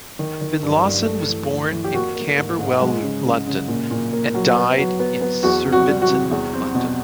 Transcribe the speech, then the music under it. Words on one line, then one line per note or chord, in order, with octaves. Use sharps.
Finlason was born in Camberwell, London, and died in Surbiton, London.
D#3
D#3
G2
G2
A3
E3
D2
E3
G4
A#3 F#4
A#3
G#2
G#2
G#3
C#3
C#3
C#3
A#2
A#2
A#3
F#3
B3
F#3
B3
B3
E2 F#4
C3
F#4
G3
F#4
C3
E2
C4
B2